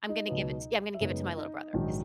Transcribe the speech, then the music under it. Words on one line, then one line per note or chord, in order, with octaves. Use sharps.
I'm gonna give it t yeah, I'm gonna give it to my little brother. His
D#4 D#5
C#2 B2 F#3 B3
E5
F#2 C#3 G#3 B3 D#4 D#5
D#4 D#5
A#1 G#2 D#3 F#3